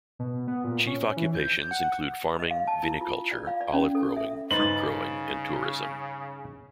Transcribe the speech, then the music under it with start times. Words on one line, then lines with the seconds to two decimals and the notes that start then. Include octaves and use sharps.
Chief occupations include farming, viniculture, olive growing, fruit growing and tourism.
0.19 B2
0.48 B3
0.64 A#2
0.87 C#4
1.17 E3
1.35 G6
1.71 F#5
2.40 D#5
2.51 F5
2.67 A5
2.83 E4
3.01 F4
3.31 D5
3.47 F5
3.61 D5
3.73 C#4
3.95 A4
4.16 E5
4.51 G2 C#3 D#4 B4 C5 A6 F#7